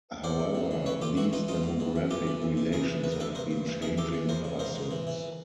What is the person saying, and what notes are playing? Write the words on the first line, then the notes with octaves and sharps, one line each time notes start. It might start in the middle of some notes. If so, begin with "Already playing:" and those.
However, these demographic relations have been changing ever since.
A2 C5 D5
A2
E3
E3
A2 B4 C#5
A2 F4 G4
E3 E4 F#4
E3 D#4 F4
G#2 D#4 F4
G#2
E3
E3
F2 F4 G4
E3
F2
C3
E2 G#4 A#4
E3
E2 B4
A#4
C3 A4 B4
G2 A#4 C5
G2
E3
E3 G#4 A#4
E2 G4 A4
E3
E2 A#4 C5
C#3
G#2 A#4 C5
G#2
E3
E3